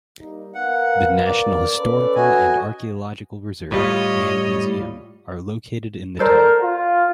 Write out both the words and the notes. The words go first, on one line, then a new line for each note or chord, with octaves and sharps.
The National Historical and Archaeological Reserve and Museum are located in the town.
G3 A#3 D#4
B3 A#4 F5 F#5
D5
C#4 A4 B4
F#4 D#5 G#5
A2 G3 F4 C#5 D#5
A4 A#4 C5 D5
F4